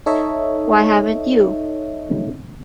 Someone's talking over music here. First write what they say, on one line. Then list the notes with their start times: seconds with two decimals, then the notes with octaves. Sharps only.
Why haven't you?
0.06 D#4 A4 C#5 D#5 E5